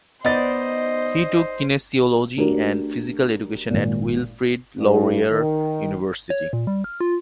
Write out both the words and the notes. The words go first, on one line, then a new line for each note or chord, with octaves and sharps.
He took Kinesiology and Physical education at Wilfrid Laurier University.
B3 D#4 C5 D5 D#5 A6
A3 D4 F#4 G4 A#4
G#1 A#2
G2
D#3
C#5
A#2
G3
F6
F4